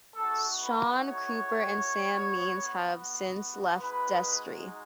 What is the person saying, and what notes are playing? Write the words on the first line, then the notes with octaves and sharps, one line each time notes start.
Shaun Cooper and Sam Means have since left Destry.
A3 D#4 F#4 A4
B4
C#5
B3 F#4
G#3 D#4 F#4 B4